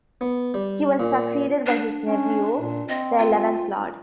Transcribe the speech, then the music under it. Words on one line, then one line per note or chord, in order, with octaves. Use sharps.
He was succeeded by his nephew, the eleventh Lord.
B3
G3
A#2
D4
C#4
A#2
C4 D#5
F4